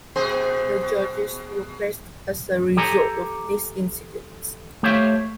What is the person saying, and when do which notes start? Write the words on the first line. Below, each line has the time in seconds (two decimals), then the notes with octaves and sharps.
No charges were pressed as a result of this incident.
0.16 B2 G#4 C5
2.76 G4 A4 G#5 A#5
4.83 A3 G4 C5 C#5 E5 F5